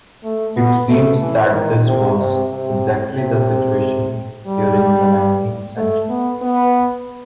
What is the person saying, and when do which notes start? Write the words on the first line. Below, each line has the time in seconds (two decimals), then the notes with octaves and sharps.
It seems that this was exactly the situation during the nineteenth century.
0.24 A3
0.56 B3
0.89 A3
1.21 E3
1.54 D#3
1.86 C3
2.19 C3
2.51 C3
3.16 C3
4.47 G3
5.77 A3
6.09 B3
6.42 B3